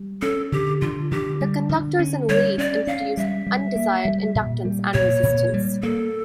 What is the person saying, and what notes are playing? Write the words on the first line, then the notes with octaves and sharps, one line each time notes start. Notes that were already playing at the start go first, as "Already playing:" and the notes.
The conductors and leads introduce undesired inductance and resistance.
Already playing: G3
C#4 A4
D3 G4
D3 F4
D3 G4
G3
D3
C#4
G3 C#5
C#4 D5
C#4 F5
G3 E5
G3
A#3
G3
A#2
G3
A#2 C#5
A#2
G3
A#3 A4